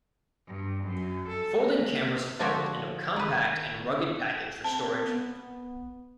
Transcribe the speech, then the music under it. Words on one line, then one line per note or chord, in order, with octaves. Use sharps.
Folding cameras fold into a compact and rugged package for storage.
G2
F#2
A4
A#3
D3 F3 D4 F#4 G4 C#5
D#3 B4
C4 A5
B3